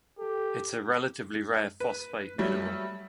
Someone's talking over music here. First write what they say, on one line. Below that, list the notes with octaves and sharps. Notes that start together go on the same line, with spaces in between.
It is a relatively rare phosphate mineral.
G4 A4
B4
F#3 G3 A3